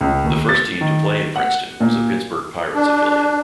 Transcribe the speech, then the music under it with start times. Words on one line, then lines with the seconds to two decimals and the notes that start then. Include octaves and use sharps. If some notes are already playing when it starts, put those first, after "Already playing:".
The first team to play in Princeton was a Pittsburgh Pirates affiliate.
0.01 C#2
0.24 D#2
0.49 A6
0.81 D#3
1.36 F#5
1.80 A#2
2.74 D4